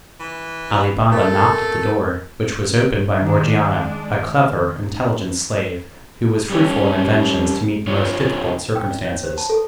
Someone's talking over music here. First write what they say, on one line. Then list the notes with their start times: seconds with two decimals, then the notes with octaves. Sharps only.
Ali Baba knocked at the door, which was opened by Morgiana, a clever, intelligent slave, who was fruitful in inventions to meet the most difficult circumstances.
0.20 E3
1.12 A3 A#4
3.22 D#3 G#3 D4
6.50 G3 C#4 G4
7.87 F2 C3 D4 F4 C#5
8.75 G5
8.91 D5
9.05 C#5
9.23 C5
9.38 A5
9.50 A4